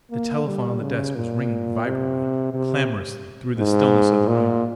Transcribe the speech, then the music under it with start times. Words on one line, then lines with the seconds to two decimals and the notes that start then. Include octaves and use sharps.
The telephone on the desk was ringing vibrantly, clamourously, through the stillness of the room.
0.11 A#3
0.46 G3
0.80 C#3
1.15 A#2
1.85 C3
2.54 C3
3.58 G#2
4.28 A#2